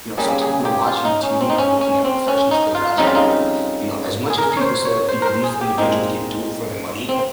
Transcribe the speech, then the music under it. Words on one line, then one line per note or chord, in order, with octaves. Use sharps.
you know, sometimes when I'm watching the TV and I'm looking at professionals play basketball, you know, as much as people say, like, you know, these individuals, they do it for the money,
C#3 G3 A#3 G#4
G#4
G4
F4
D#4
C#4
C4
D#4
C#4
C#4
C4
C#4
D#4
F4
F2 C#3 G3 D#4
F4
D#4
G#4
A#4
C#5
C5
C#5
C5
A#4
C5
G#4
G4
A#2 G#3 C4 D#4
C4